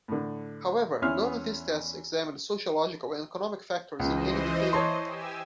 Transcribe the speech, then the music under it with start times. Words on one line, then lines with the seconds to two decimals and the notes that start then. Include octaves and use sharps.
However, none of these tests examined sociological and economic factors in any detail.
0.08 A2 D3
1.02 E2 E3 C#4 E5 C6 F6
4.00 C#2 E3 C5 D#5
4.73 C#5 A5 C6
5.05 G4 G#5 E6